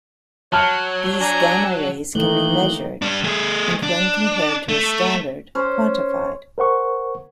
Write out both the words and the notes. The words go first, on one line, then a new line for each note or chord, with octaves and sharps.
These gamma rays can be measured, and when compared to a standard, quantified.
F#3 C#5 A5 F6
D4 G#5 A#5
D#3 E3 A3 A#3 D#4 F#6 G6
G3 D4
A3 G#4
D4
A3
C#4 C5
A#4 C5 F#5 C#6